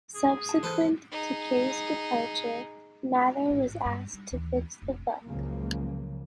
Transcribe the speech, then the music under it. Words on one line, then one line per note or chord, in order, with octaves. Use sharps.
Subsequent to Kaye's departure, Nather was asked to fix the bug.
G#4
A5
E3 A4 B4 C5
D#4 G#4
A1 G#2
G2
G3
D#2 E3
F1 A#1
C#2 A#2 C#3 F3 F#3 A#3